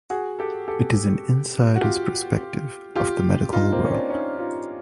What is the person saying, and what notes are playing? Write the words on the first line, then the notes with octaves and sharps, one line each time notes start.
It is an insider's perspective of the medical world.
F#4 G#4
G4 A4
G4 A4
F#4
F4 G4
F4 G4
D#4 F4
A#3 C4
C#4
C4 D4
C#4 D#4
D#4 F4